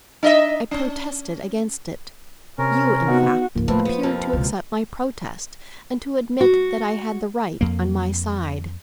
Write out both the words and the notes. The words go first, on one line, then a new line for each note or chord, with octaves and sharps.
I protested against it. You in fact appeared to accept my protest and to admit that I had the right on my side.
D4 D#5 E5
C#4
C3 C#4 A#4
B3 D#4 F#4
C#2 G#2 F3 A#3
A2 A#3 F4 B4 C5
B3
F2 C3 F3
C#2 B2
F#4
F2 A#3